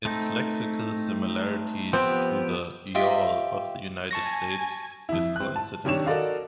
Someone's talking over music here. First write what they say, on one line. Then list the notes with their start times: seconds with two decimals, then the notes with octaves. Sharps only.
Its lexical similarity to the "y'all" of the United States is coincidental.
0.05 A3 C4 D#4
1.93 F3 B3 C4 G4
2.95 F4 G4 D#5 E5
4.11 G#5 A5 C#6 A#6
5.09 F2 E4
5.36 C4 F#6
5.56 A5
5.85 C3 D#3 D4 C#5 E7
6.06 F#4 A4 A#4 D5 D#5 F5